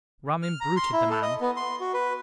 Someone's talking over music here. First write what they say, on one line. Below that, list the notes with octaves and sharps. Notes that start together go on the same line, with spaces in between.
Rum imbruted the man.
F6
A#5
C6
E4
A4
D#5
B3
C6
F#4
B4